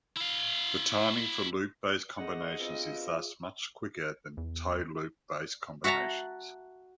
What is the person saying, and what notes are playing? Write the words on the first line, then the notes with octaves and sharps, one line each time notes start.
The timing for loop-based combinations is thus much quicker than toe-loop-based combinations.
E4 F5
G#2 A3 G#4 D#5 F#5
G2 B2 C4 F4
E2
F#4 E5 F#5 A5 A#5